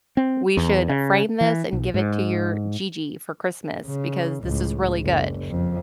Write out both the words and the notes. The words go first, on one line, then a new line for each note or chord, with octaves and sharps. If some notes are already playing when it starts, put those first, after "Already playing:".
We should frame this and give it to your Gigi for Christmas because this is really good."
C4
E2
C#3
E3
B1
G#2
C#3
C#2 A2
F#1
F2